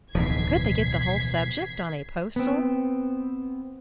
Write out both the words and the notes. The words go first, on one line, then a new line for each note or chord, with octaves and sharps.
But could they get the whole subject on a postal?
D1 B1 B2 E3 F3 G#6 B6 C7
B3 C4